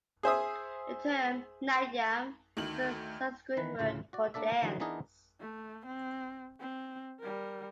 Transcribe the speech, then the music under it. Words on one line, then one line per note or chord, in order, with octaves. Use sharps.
The term "Natyam" is a Sanskrit word for "dance".
G#4 C5 E5 D#6
D2 D#3 F#7
D#3 E3 B4
D2 A2 C#3 F4
F#4 D5
A#3 D4 A4 D5 E5
D3 E3 F#3 D#4 F#5
E3 B3 D4 D#4 G#4 A#4
A3
C4
C4
G3 A#4